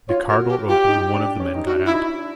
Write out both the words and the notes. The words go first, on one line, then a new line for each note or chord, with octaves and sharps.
The car door opened, and one of the men got out.
F4 C#5
F#4 A#4
G4
F4 G4
D#4
D4
C#4
D#4
D4 F#4
E4
D#4
D4